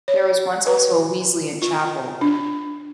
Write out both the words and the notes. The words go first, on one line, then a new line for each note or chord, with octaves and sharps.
There was once also a Wesleyan chapel.
C#5
B4
F4
D4